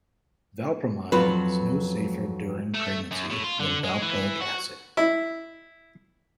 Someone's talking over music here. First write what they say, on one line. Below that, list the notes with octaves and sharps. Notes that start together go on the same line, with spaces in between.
Valpromide is no safer during pregnancy than valproic acid.
F2 F#3 F4 F#4 B4
A3
F#2
A2
F4
D3
G#3
E3
F#4
E4